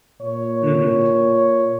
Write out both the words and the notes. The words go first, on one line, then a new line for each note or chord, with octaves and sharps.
Mhm. T
A#2 C#5